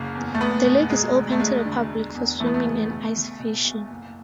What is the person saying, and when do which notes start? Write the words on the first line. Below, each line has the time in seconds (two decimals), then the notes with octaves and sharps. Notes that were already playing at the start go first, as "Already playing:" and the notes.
The lake is open to the public for swimming and ice fishing.
Already playing: F#1 C#3
0.15 E2
0.35 A3
0.40 F#1 B3
0.66 B2
0.90 E1 G#3
1.15 D2
1.32 A3
1.40 E1 G#3
1.65 D3
1.90 E1
2.15 E2
2.40 E3 A3
2.46 B3
2.54 A3
2.65 C#3
2.90 B1
3.15 B2
3.39 B2
3.65 B1
3.90 F#1